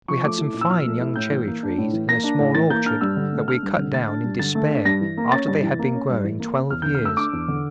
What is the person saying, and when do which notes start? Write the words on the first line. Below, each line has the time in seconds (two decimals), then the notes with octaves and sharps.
We had some fine young cherry-trees in a small orchard that we cut down in despair after they had been growing twelve years.
0.08 F3 C#6
0.24 A3 D6
0.39 E4
0.54 A#2
0.61 E6
0.70 F3 F6
0.86 A3
1.00 E4
1.16 A2 G6
1.32 E3
1.47 A#3
1.63 D4
1.78 A2
1.93 E3
2.09 A#3 A#6
2.24 D4
2.39 A2
2.55 E3 A6
2.70 A#3 G6
2.85 D4 F6
3.01 G2 E6
3.17 D3
3.32 A3
3.47 D4 F6
3.63 G2
3.78 D3
3.93 A3 A6
4.08 D4
4.24 G2
4.39 D3 A6
4.55 A3
4.71 D4
4.85 G2 A#6
5.01 E3
5.17 A#3
5.32 C#4 A6
5.48 G2
5.63 E3
5.79 A#3
5.94 C#4
6.10 G2
6.24 E3
6.40 A#3
6.56 C#4
6.70 E2 F6
6.82 D3 G6
6.95 F6
7.01 A3 E6
7.17 D4 D6
7.33 E2
7.48 D3